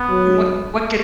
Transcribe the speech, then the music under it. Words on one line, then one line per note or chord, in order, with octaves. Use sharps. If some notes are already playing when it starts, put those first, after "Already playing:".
And what what could
Already playing: B3
F#3